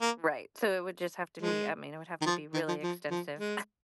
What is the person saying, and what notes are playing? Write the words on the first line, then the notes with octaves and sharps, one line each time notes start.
Right, so it would just have to be I mean, it would have to be really extensive.
A#3
F3 G#3
D#3
F3
D#3
F3
F3
F3
G#3